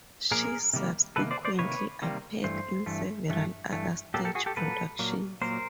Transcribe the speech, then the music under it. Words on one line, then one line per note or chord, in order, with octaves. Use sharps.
She subsequently appeared in several other stage productions.
A#2 F3 A#3 G#4 A#4
C3 D#3 G3 A#3
C3 D#3 A#3 A4 B4
C5 D5
C5 D5
C3 D#3 A#3 B4 C#5
C3 D#3 G3 A#3
G2 E3 A3 C5
G2 E3 A3
G2 E3 A3
G2 E3 A3
A#2 F#3 A#3 G4 A4
G4 A4
F#4 G#4
G4 A4
A#2 F#3 A#3 A4 B4
A#2 F#3 A#3
A#2 F#3 A#3 A#4 C5